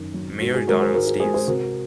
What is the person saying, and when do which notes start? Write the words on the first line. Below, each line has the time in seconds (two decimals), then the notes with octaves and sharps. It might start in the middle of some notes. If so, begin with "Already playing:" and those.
Mayor Donald Steeves.
Already playing: F#2 D#3
0.14 D#3 F#3
0.40 G#2 F#4
0.55 G#4
0.67 D#3 G#3 F#4 A#4
0.81 G#4 C5
0.94 G#2 F#4 A#4
1.07 G#4
1.20 D#3 G#3 G#4 C5
1.34 G#4 C5
1.47 C3 F#4 A#4